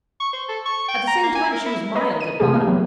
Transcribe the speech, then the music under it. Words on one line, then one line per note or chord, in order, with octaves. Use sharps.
At the same time she was mild at bottom.
C#6
C5
A4
C#6
G5
A#5
A#3
G#5
A#4
E4
B4 D#5 A#5 B5
D#7
C3 E3 A3 G4 G#4
A#3
E3 F#3 B3